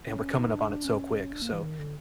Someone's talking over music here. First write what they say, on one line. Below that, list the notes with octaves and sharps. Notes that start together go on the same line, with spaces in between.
and we're coming up on it so quick, so,
C#4
D4
D#4
D4
D4
C#4
D4
A#3
E3
D#3
D3